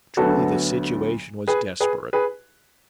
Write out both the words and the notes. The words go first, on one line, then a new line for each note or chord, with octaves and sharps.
Truly the situation was desperate.
D2 D3 F#3 B3 F#4 A4
G#4 B4
G#4 B4
G#4 B4